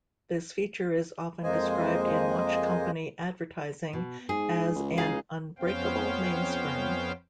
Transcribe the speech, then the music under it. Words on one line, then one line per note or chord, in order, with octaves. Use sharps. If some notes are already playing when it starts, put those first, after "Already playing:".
This feature is often described in watch company advertising as an "unbreakable mainspring".
F2 G#3 A#3 C5 D#5 G#5
B2
G#2 G#4
C#2
D#4 G#4 F5
F2 B3 C#4 C5 F5 G5